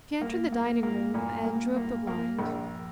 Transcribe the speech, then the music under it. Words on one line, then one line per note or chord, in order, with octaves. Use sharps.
She entered the dining-room and drew up the blind.
A#3
A#3
A#3
A#2
A#3
A#3
A#3
A#1